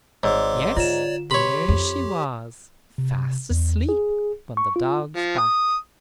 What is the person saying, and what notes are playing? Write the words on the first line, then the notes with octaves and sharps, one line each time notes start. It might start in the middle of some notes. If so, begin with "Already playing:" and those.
Yes, there she was, fast asleep on the dog's back.
G#1 G#2 C#5 D5 C6 D6 E6
D3 F4 C#5 D5 E7
G4 C#5 B5 C6
F2
C3
E2
G#4
C#6
F4
F3
D#6